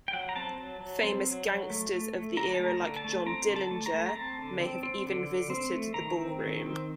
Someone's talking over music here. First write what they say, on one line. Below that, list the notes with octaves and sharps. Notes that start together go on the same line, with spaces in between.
Famous gangsters of the era like John Dillenger may have even visited the ballroom.
G5
F#3 F#5
A#5
C4 A5
F#3
F#3
C4
F#3
F#3
A3
A3
A3
D3 A#5
A3 A5
A#5
D3
A5
A3
C4 A#5
D3
A5
A3
A#5
A3
A#5
C4 A5
D3
C4
C4
D3
D3
C4
A3
D#3 A#5
C4
D#3
C4